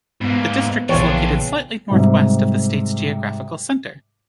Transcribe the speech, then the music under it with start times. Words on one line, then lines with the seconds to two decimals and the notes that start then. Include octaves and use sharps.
The district is located slightly northwest of the state's geographical center.
0.21 G#2 A#3 B3 B4
0.89 A#1 C#3 E3 D4 F4 C#5 G5
1.90 G#2 C3 F#3 G3